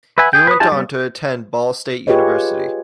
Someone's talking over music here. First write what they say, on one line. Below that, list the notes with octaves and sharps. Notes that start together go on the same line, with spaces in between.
He went on to attend Ball State University.
B4 E5 F#5 G#5 B5
G#4 G5
B4 D#6
D#4 F4 G4 G#4 A5
G3 B3
F4 G4 G#4 B4 C#5 D#5